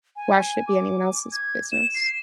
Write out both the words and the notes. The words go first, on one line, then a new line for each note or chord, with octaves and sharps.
why should it be anyone else's business?
G#5
D6
G#6
E7
C7